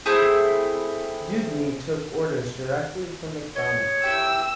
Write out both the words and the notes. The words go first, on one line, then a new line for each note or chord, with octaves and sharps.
Dewdney took orders directly from Macdonald.
A3 C4 E4 G#4
C#5 D#5
E4 G4 G5 E6